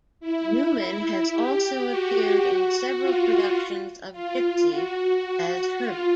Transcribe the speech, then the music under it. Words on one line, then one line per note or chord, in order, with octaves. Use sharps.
Newman has also appeared in several productions of "Gypsy" as Herbie.
E4
E4
G4
F#4
F#4
F4
F4
F#4
F#4
F4